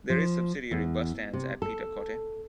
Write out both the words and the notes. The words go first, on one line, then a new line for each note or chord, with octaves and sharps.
There is subsidiary bus stands at Pita Kotte.
F3
E2
C3
A4